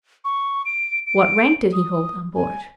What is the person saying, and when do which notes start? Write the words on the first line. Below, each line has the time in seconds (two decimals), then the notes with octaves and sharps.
"What rank did he hold on board?"
0.25 C#6
0.66 D7
1.07 D7
1.73 D#6
2.35 G#5